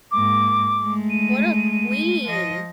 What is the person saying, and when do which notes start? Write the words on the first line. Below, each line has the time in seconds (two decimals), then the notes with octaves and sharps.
What a queen!
0.11 G#2 A#3 D6
0.81 G#3 A3
1.10 D#7
2.25 F3 D#5